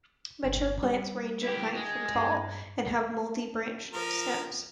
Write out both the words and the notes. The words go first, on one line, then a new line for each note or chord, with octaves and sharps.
Mature plants range in height from tall and have multi-branched stems.
G1
G3
E4 G4
G#3
G2
F3 A#4